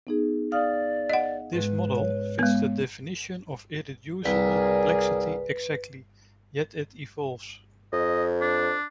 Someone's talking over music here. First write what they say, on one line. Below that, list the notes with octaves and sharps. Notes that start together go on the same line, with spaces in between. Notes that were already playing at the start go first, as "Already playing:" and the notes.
This model fits the definition of irreducible complexity exactly, yet it evolves.
B3 D#4 G#4
D5 F5 D#6 F6
D#5 F#5
G#2 G#3 B4
C#5
G#3 B3
C2 G#4 A#4 B4 D5
F2 D#5
D4